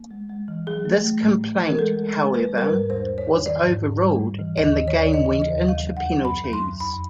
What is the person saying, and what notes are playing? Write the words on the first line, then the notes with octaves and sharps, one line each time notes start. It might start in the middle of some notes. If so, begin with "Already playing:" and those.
This complaint, however, was overruled, and the game went into penalties.
Already playing: A#3
G#3
G#3
E3
F#3 G#4
A3
A3
A2
A2
E3
A#4
G#3 A4
G#3
G#3
A#3 B4
G3
A#4
B4
G#2
E2 C5
E2
C#5
E2
D#3 D5
G#2
G#2
G3
A2
E3
D#2 D#5
D#3
C#5
D#2
D5
C#3 D#5
E3
D#5
D#2
F#3 F5
E2
F#5
F#3
F#2 B5
F#3
C6
F#2
F2 B5